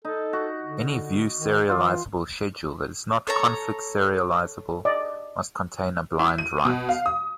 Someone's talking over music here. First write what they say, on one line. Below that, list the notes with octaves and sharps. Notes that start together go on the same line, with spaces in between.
Any view serializable schedule that is not conflict serializable must contain a blind write.
D#4 A4
F#4
D3
D#3
E3 F4
A4 C#5 A#5
D5 D#5
E4
D#7
B2
F5
D#6